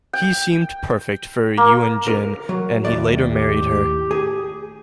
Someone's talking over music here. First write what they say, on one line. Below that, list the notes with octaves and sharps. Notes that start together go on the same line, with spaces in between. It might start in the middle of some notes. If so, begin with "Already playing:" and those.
He seemed perfect for Eun-jin and he later married her.
G5
A#3
A#4
F#3
D#2 A2 D5
G4
G#4